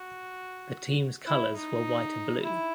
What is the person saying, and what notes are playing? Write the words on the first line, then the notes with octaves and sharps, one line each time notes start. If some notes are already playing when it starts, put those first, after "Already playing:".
The team's colors were white and blue.
Already playing: F#4
E4
D#4
E4